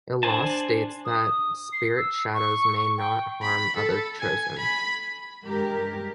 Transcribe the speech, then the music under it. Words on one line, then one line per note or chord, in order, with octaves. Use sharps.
A law states that Spiritshadows may not harm other Chosen.
D4 C5 G#5 A5
D#6
C7
E6
C#6
G5
B5
A4
G#5
B5
G2 G#3 G4 A#4